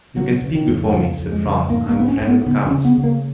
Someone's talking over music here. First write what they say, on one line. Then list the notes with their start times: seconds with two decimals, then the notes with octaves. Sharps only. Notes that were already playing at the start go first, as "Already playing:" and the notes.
"You can speak before me," said Franz; "I am a friend of the count's."
0.16 C#3 F#3
0.42 C#3
0.55 D#3
0.67 F2
0.93 C#3 F3
1.18 F2
1.32 G#3
1.44 C#3
1.70 G#2 A#3
1.89 A#3
1.95 G#2 B3
2.08 C#4
2.21 G#2
2.27 B3
2.46 C#3 B3
2.66 C#4
2.72 C#3
2.85 B3
2.98 C#3
3.04 A#3